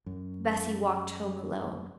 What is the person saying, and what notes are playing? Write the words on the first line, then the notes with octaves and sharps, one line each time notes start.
Bessy walked home alone.
F#2